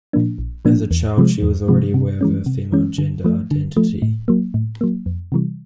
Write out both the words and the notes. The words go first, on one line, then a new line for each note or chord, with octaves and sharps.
As a child, she was already aware of her female gender identity.
A#2 F3 A#3 D4
A#1
A#2 F3 A#3 D4
E2
C3 F3 G#3
E2
C3 F3 G#3
C3
E3 G#3 C#4
C3
E3 G#3 C#4
D3
F3 A3
D3
F3 A3
A2
F#3 A#3
A2
F#3 A#3
F2
C3 E3 G3